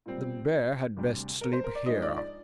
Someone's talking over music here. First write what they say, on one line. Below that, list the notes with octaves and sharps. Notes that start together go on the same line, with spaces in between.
'The bear had best sleep here.'
A#2 G3 C4
D2 C3 G3 D4
A#4
C5
A#4
D5
G#2 F3 G#3 D4 D#5
D5
D5